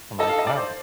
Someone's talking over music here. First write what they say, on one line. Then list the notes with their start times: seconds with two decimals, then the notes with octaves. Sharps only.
I'm, like, "Wow.
0.19 A4 D#5
0.29 F5
0.38 D#5
0.47 D5
0.57 C5